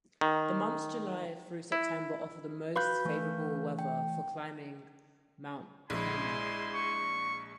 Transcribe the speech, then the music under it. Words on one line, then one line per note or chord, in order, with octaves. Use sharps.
The months July through September offer the most favorable weather for climbing Mount Payne.
D#3
E4
F#4 B4 F5 B5 G6
E3 A3
G5
A#1 G#3 E4 C5 G#5 C6
C#6